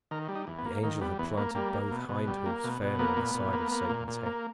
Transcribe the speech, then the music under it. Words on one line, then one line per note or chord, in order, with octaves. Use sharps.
The Angel had planted both hind hoofs fairly on the side of Satan's head.
D#3 A#4
G3
D#4
E2
B3
A#3
D#3 A#3
G3 B3
E2 B3
A#3 B3
G3 A#3
A#3
B2
B2
G3
A#3
B2
B2
A#3 B3
A#2
A#2
A#3
A#3
A#2
A#2
A#3